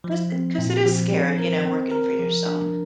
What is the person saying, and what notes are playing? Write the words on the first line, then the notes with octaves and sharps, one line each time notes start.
'Cause 'cause it is scary, you know, working for yourself,
F3
C4
A#2
F3
C4
A#4
C4
A#4
F3
D4